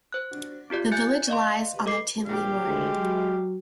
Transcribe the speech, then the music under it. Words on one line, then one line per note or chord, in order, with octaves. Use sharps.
The village lies on the Tinley Moraine.
C5 F#6
C4 F4 G4 D5
E5 G#5 F#6 G6 A6 C#7
D5 D#5 F5 C6
A4 D#5 D6 C7
A#1 G4 F5
D2 G#3
F#3